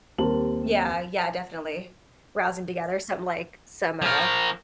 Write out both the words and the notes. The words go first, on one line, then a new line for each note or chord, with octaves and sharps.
Yeah, yeah, definitely. Rousing together some, like some, uh
D#2 G3 C4 A#4 A5 F#7
F3 A#4